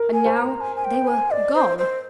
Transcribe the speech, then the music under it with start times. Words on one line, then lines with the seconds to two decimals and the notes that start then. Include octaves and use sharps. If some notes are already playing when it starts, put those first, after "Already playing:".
And now they were--gone.
Already playing: A#4
0.13 G#5
0.26 C5
0.37 A#5
0.61 G#5
0.76 G#5
0.84 G5
1.07 G#5
1.31 D5 D#5
1.55 C5
1.79 C5